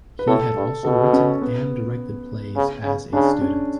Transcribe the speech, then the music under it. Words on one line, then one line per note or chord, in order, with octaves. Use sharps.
He had also written and directed plays as a student.
B4
A2 A4
G2
B2 A4
C#4
B3
C#3
C#3
C#3 D4
C#4